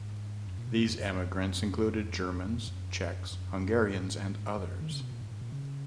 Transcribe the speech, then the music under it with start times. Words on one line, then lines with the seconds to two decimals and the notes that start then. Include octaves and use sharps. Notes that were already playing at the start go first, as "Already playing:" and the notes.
These emigrants included Germans, Czechs, Hungarians, and others.
Already playing: G#2
0.47 F#2
0.58 A#2
0.67 B2
0.79 G#2
0.89 F#2
0.99 F#2
1.08 F2
1.14 F#2
1.74 F2
1.84 F#2
1.94 F2
2.36 F#2
2.47 F2
2.57 G#2
2.67 F#2
3.31 F#2
3.89 F#2
3.94 G#2
4.58 F#2
4.81 D#3
4.91 C#3
5.01 B2
5.11 A#2
5.21 G#2
5.31 G#2
5.41 A#2
5.52 C#3